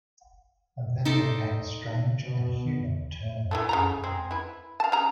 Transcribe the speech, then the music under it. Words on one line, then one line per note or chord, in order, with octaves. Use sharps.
And then there came a strange and human turn to the affair.
D#4 A4 C5 D6
B2
E3 F#3 A3
C#3 A3 A#5
G#3 C4
E4 B4
F5 A5
C#3 A#5